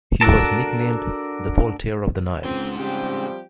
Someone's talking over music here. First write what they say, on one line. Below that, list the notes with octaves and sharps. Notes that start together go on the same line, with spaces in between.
He was nicknamed "The Voltaire of the Nile".
D4 F#4 A4 A#4 A5
C#2 G#2 C4 C6
C#3 F3 G3 C4 G4